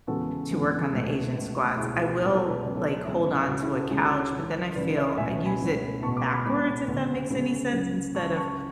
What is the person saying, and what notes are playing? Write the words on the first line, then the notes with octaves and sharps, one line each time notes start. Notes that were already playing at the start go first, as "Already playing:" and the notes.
to work on the asian squats, I will like, hold on to a couch, but then I feel, I use it backwards, if that makes any sense, instead of
E2 C#3 G#3 B3 F#4 A4
E2 C#3 G#3 B3
C#2 B2 A3
C#2 B2 A3
C#2 B2 G#3 E4 G#4
F#4
C#2 B2 G#3 F#4
F#4 A4
G#4 B4
C#2 C#3 F#3 B3 B4 D5
A4 C#5
C#2 C#3 F#3 B3 C#5 E5
E4
C#2 C#3 G#3 C#4 F#4
E4 G#4
F#4 A4
C#2 C#3 G#3 C#4 E4 G#4
F#4 A4
A4 C#5
C#2 C#3 E3
C#2 C#3 E3 B4 D5
C#5 E5
C#2 B2 A3 C#4 E5 G#5
G#5 B5
C#2 B2 A3 C#4
C#2 B2 G#3 B3 A5 C#6
B5 D6
B5 D6
C#2 B2 G#3 B3 B5 D6
D2 C#3 G#3 B3
D2 C#3 G#3 B3
C#2 C#3 F#3
C#2 C#3 F#3 A5 C#6
A5 C#6